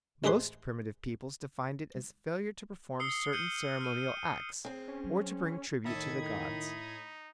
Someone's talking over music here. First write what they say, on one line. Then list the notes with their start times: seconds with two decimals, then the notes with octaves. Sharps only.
Most primitive peoples defined it as failure to perform certain ceremonial acts, or to bring tribute to the gods.
0.24 A1 G#3 G#4 B4 C5 C6
3.00 D#6 E6 C7 C#7 G7
3.32 F6 G6 C#7 D#7 F#7 G7
3.81 F6 D#7
4.65 C4 G#4
4.88 C#4
5.04 F#3
5.85 A2 D#3 A4 B5 D#6 G#6
6.22 D#4